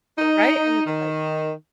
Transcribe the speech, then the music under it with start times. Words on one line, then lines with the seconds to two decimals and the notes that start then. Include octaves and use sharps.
Right? And it's like
0.18 D#4
0.87 D#3